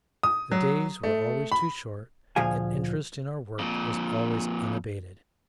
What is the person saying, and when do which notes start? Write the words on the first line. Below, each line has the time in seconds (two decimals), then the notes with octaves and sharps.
The days were always too short, and interest in our work was always unabated.
0.23 D#6
0.51 F#3
1.03 A3
1.52 B5
2.36 D2 A#2 F3 G#4 F5 G#5
3.59 F2 A#2